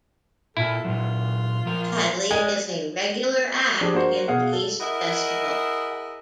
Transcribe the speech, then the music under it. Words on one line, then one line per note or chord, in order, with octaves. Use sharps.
Hadley is a regular act in The East Festival.
A#2 E4 F4 A4
A#2 F#3 F4
F3 A#4
G#3 A3 D5 G#5
F3 D4 G4 G#4
A#3 F#4 C5
B2 G#4 F5 F#5
A4
E4 G#4 A#4 D#5 E5 F#5